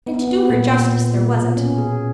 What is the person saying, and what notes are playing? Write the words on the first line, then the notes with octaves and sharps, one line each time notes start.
And, to do her justice, there wasn't.
B3
B3
A#2
A#2
A#2
A#2
B2
C#4
G#4